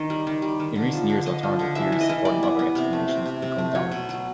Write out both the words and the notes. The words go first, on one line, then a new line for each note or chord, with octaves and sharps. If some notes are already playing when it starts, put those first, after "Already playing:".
In recent years, alternative theories supporting other explanations have become dominant.
Already playing: D#3 D#5
G3
D#3
G3
D#3
D3
F3
D3
D3 D#5
F3
D3
E3 E5
E3
D#5
E3
G3 D5
B3
B3
C3
A3
C3
C3
C3
A3
F#3 C#5
B2
F#3